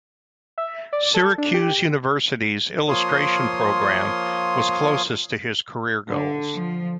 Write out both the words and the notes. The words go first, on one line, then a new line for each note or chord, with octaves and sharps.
Syracuse University's Illustration program was closest to his career goals.
E5
D5
A4
D4
G4
F3 A#3 F4 C#5 C6 D#6
D3
F3